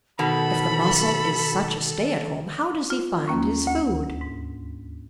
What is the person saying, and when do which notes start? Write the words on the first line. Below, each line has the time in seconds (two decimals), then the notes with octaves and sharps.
If the Mussel is such a stay-at-home, how does he find his food?
0.19 B2 D#3 A4 B5
2.90 F4
3.28 D#2 A#3 C#4
3.67 D2
4.21 G#2